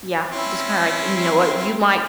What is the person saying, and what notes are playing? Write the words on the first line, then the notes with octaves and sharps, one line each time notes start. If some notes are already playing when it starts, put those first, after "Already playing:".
Yeah, just kinda like and you know what? You might
C4 C#4 E4